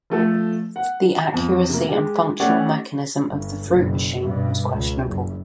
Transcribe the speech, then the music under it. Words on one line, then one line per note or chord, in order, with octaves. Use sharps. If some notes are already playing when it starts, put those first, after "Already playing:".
The accuracy and functional mechanism of the "fruit machine" was questionable.
F3 A3 A4
F#5
F2
C3 A#3
G#3 G4
A3 C#4 G4 C#5 D5 F#5
G1
F#1 B2
G2 B2
C#2
F#1